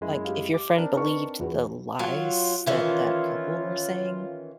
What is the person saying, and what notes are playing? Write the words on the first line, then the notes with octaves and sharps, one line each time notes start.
like, if your friend believed the lies that that couple were saying
F#2 G#3 E4
G4 F5
D6
C4 D4 A#4
D#4 B4 C#6
E2 F#4 B4
F#3 F4
D#3 E3 C#4 F4